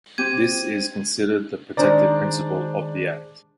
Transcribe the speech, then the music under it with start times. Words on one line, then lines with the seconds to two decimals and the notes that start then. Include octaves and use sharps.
This is considered the protective principle of the act.
0.18 C4 G4 G#6 D#7
1.77 D#3 G#3 D4 C5 D5 A#5